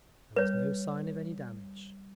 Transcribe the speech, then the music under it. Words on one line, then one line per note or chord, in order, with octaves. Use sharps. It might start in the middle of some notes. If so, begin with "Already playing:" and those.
There was no sign of any damage....
G3 B4 C#5